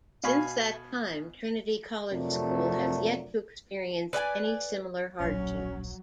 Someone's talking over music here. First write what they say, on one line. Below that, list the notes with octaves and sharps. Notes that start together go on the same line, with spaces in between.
Since that time, Trinity College School has yet to experience any similar hardships.
B2 F5 G#5 B5 C#6
F2 C3 F#3 A3 D4 A#4
B4 D5 G5 G#5
D1 A#1 F#3 C#4